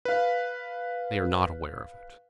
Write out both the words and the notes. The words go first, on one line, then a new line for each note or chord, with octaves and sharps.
"They are not aware of it."
B4 F5